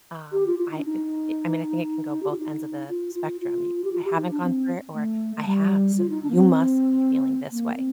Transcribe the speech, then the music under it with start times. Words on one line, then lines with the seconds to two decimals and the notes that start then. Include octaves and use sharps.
um, I i i I mean, I think it can go both ends of the spectrum: "Y I haven't gone through it," or "I have, so you must be feeling this way."
0.32 G4
0.46 F4
0.58 F4
0.71 D#4
0.77 D4
0.85 D#4
2.22 G4
2.30 F4
2.38 D#4
2.89 F4
3.15 F4
3.40 F4
3.84 G4
3.92 F4
4.04 G4
4.17 D#4
4.30 D4
4.43 C4
4.94 A3
5.36 A3
5.45 G3
5.98 F4
6.09 D#4
6.22 D4
6.30 A#3
6.35 C4
7.51 A#3
7.76 C4